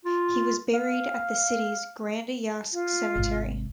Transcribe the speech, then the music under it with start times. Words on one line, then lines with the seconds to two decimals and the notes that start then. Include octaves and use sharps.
He was buried at the city's Grand Jas Cemetery.
0.06 F4
0.74 F5
2.73 F4
3.16 G#1 C3